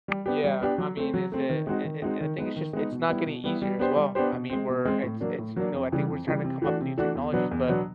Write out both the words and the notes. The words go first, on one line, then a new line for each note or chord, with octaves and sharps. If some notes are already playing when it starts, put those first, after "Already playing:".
Yeah, I mean, is it it it and I think it's just it's not getting easier as well. I mean, we're it's it's, you know, I think we're just tryna come up with new technologies. But,
G3
B3 D4 G4
G3
B3 D4 G4
F#3
A3 C4
F#3
A3 C4
D#3
G#3 C4 D#4 F#4
D#3
G#3 C4 D#4 F#4
D#3
G#3 B3 D#4
D#3
G#3 B3 D#4
B2
G3 B3 E4
B2
G3 B3 E4
G3
B3 D4 G4 C5
G3
B3 D4 G4 C5
B2
G#3 C4
B2
G#3 C4
A2
F#3 A#3 D4
A2
F#3 A#3 D4
F2
C#3 E3 G3
F2
C#3 E3 G3
C3
E3 A3 D4 F#4
C3
E3 A3 D4 F#4
E2
B2 F#3 B3 D4
E2
B2 F#3 B3 D4